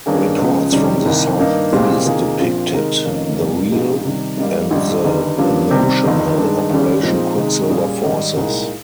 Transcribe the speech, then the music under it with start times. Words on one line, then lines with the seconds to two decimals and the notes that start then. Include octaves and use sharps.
Reports from the south-east depicted the real and the notional Operation Quicksilver forces.
0.06 G2 D#3 A#3 C#4 G#4
0.39 C#2 C#3 F3 G#3
0.72 C3 D#3 G3 C#4
1.05 C2 C3 D#3 A#3
1.39 G2 D#3 A#3 D#4
1.72 C2 A#2 G#3 C4 G4
2.05 C3 D#3 A#3 F4 G#4
2.39 A#1 A#2 F3 C4 F4
2.71 C3 D#3 G#3 D#4 A#4
3.05 F1 F2 D#3 A#3 C#4
3.38 F1 F2 C3 G3 A#3
3.71 A#1 A#2 G#3 D#4 G4
4.05 C3 D#3 G3
4.37 G#1 G#2 G3 A#3
4.71 A#1 G#2 D#3 G3
5.04 G1 G2 D#3 G3
5.38 G2 F3 A#3 C#4 G4
5.70 C3 D#3 G3 C4
6.04 G1 F2 D#3
6.38 G2 D#3 G#3
6.71 D#2 C#3 G3 C#4
7.03 A#2 F3 G#3 C4 D#4
7.37 C3 D#3 G#3
7.70 A#2 G3 C#4 G#4
8.03 G#2 D#3 G3
8.36 C2 A#2 G#3 D#4 A#4